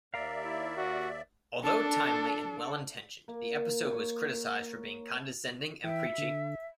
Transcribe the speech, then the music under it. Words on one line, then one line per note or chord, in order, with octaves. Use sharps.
Although timely and well-intentioned, the episode was criticized for being condescending and preachy.
D#2 A#4 D5 E5 F5
E4
F#4
D4 A4
A#3
C#5
E3 E5 G5
D3